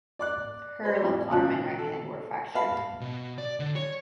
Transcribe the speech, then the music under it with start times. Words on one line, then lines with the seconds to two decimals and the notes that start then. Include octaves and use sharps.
Her left arm and right hand were fractured.
0.19 D5 D6 F#6
0.83 B4 C5 D#5
1.01 F2 A2
1.30 G#1 A#2 C#3 C#4 F#6
1.79 A4
2.55 B4 E5 F5 A5 B5
3.01 B2
3.38 D5
3.60 D3
3.76 C#5